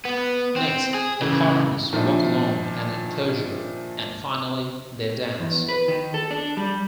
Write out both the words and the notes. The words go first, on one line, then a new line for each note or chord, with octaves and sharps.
Next, the partners walk along an enclosure, and finally they dance.
B3
C4
G#4
C#3 E3
A#2 D#3 F3 D4 E4
E2
B4
D#3
A4
D4
G3